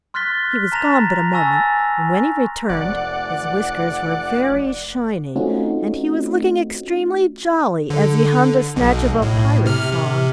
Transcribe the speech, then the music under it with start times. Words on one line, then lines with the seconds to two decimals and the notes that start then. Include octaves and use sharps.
He was gone but a moment, and when he returned his whiskers were very shiny, and he was looking extremely jolly as he hummed a snatch of a pirate song.
0.14 C6 F6 F#6 A6 B6 G7
0.72 A5 A#5 A6 A#6 F7
1.33 G#5 A5 C#6 E6 A6 A#6
2.69 F1 D5 F#5
5.36 A3 C4 C#4 D#4 F4 F#4
7.90 D3
8.76 B1 B2
9.22 A2
9.66 C3 F6
9.92 C3